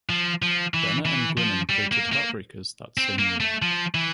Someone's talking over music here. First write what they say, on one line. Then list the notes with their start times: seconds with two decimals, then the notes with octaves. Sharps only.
Bennett and Guinan created "Heartbreakers" that same year.
0.09 F3
0.42 F3
0.74 E3
1.06 E3
1.37 F3
1.69 G3
1.92 A#3
2.12 A#3
2.98 C4
3.19 A#3
3.40 A3
3.62 F3
3.95 E3